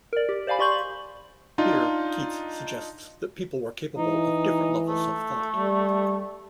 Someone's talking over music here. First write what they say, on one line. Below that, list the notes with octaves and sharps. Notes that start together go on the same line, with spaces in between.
Here Keats suggests that people were capable of different levels of thought.
A#4 D5
G4
C5 D5 F5 G#5 B5
G4 D5 C6 C#6 G6 F#7
D4 D#4 F4
E3 D#4
A3
G3